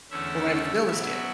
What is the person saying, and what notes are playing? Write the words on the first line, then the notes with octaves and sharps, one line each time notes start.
or whenever the bill is due.
E2 D3 A3 C#4 E4 E5
B2 F#3 B3 E4 E5